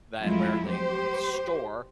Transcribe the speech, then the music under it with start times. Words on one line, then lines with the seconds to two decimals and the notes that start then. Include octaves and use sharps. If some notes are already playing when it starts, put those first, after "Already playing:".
that where they store
0.21 F2 F#3 G#3 A3 E4 F4
0.69 G4 C5